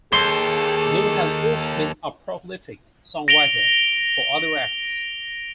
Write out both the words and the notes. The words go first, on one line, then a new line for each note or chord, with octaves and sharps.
Blue has also been a prolific songwriter for other acts.
D#2 G#4 A4 C6
A#6 D7 F7 G7